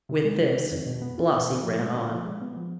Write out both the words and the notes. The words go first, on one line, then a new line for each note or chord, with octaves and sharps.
With this Blasi ran on.
C3
G#3
C3
D#3
F2
B2
B3
F4
B2
D3
F3
G#3
D3
F3
G#3
B3
F3